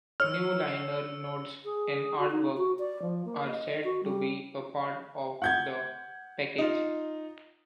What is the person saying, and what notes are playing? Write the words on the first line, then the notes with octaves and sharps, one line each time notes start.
New liner notes and artwork are said to be a part of the package.
C#5 E6 F6 C#7
G#4
F#4
D#4
F#4
D5
F3
A#3
D#5
F#4
G3
F#5 G6 G#6
D#4 F4